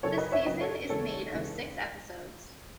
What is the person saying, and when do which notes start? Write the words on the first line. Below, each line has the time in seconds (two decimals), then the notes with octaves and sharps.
The season is made of six episodes.
0.03 F#2 C#3 F#3 A4 C#5
0.17 B4 D#5
0.32 C#5 E5
0.46 F#2 C#3 F#3 B4 D#5
0.61 A4 C#5
0.89 D#2 C#3 E3 G#3 A4 C#5
1.32 D#2 C#3 E3 G#3